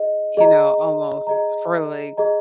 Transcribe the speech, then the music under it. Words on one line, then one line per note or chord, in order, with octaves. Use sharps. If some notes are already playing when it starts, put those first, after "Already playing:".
you know, almost for, like,
Already playing: G#4 D#5
G#4 D#5 A#5
G#4 D#5 A#5
G#4 D#5 A#5